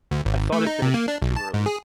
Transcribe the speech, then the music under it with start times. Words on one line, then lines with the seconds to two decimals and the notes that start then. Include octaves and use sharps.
I thought it finished too early.
0.11 D2
0.25 G#1
0.52 A3
0.67 D#4
0.82 C3
0.94 A#3
1.08 D4
1.22 B1
1.36 A5
1.54 G#2
1.66 G#4